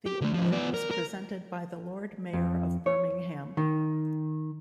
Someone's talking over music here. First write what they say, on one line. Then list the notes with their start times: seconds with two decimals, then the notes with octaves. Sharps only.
The award was presented by the Lord Mayor of Birmingham.
0.06 G4
0.21 D3 A3
0.34 F3 C#4
0.52 B3 D5
0.74 A#4
0.91 A#4
2.33 F2
2.86 C#5
3.57 D#3